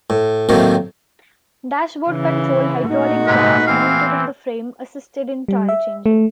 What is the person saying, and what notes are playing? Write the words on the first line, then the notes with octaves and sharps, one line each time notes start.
Dashboard controlled hydraulic jacks mounted in the frame assisted in tire changing.
A2
A2 C3 D#3 F#3 A#3
C#3 E3
A#2 A3 D#4 F#4
G#2 C3 G#3 B4
E3 C4 F5
G3
E5
A3